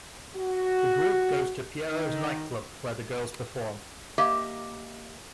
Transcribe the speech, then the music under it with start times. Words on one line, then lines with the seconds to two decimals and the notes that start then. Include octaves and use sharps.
The group goes to Pierrot's nightclub, where the girls perform.
0.36 F#4
1.91 D#3
4.18 A#3 G4 D#5 E5